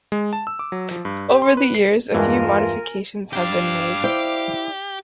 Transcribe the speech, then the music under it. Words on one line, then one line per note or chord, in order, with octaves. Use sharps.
Over the years, a few modifications have been made.
G#3
A5
E6
D6
F#3
F3
G2
G4
C6
B4
C7
E2 G2 E3 G#3 F4 A#4 G#5
D4 G4 F5 D6
E4 G4 C5 D5